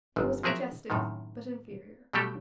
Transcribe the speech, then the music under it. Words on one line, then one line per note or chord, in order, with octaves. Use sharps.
He was majestic, but inferior.
G1 F#2
F3 F#3 G#4 A#4 E5
F#2 A2 C3 D#3
B2 F#3 G3 A3 G4 A4